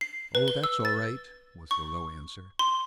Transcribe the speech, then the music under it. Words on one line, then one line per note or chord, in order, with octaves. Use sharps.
"Oh, that's all right," was the low answer.
C7
B4
G7
E6
A6
C#6
C6